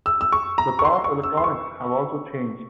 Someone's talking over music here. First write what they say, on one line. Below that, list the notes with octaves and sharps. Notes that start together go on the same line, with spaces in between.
The car's electronics have also changed.
E6
E6
C#6
A#5
C#6
C6
C#6
E6
C6
C#6